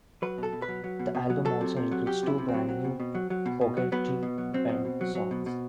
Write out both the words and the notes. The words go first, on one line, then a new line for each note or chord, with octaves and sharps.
The album also includes two brand-new Fogerty-penned songs.
F#3 B4
B2
A4
B2
B4
F#3
F#3
B2
B2
F#3
F#3 A4
C3
C3
F#3
F#3 G4
C3 E4
C3
C4
F#3
F#3
B2
B2
F#3
F#3
B2
B2
F#3
F#3 B3
B2
B2
F#3
F#3 C4
B2
B2
F#3
F#3
B2
B2